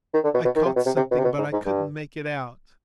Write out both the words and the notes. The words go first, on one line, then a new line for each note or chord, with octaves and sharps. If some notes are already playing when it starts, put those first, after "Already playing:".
I caught something, but I couldn't make it out.
D#3
D3
B2
B2
D#3
C3
B2
C3
C3
B2
C3
B2
G#2
G#2
G2